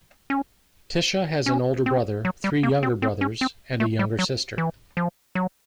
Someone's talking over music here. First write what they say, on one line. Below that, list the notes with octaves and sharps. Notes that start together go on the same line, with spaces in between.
Tisha has an older brother, three younger brothers, and a younger sister.
C#4
C#4
C4
F#3
G3
A#3
C4
C4
C#4
C4
A3
G3
F#3
E3
F3
F#3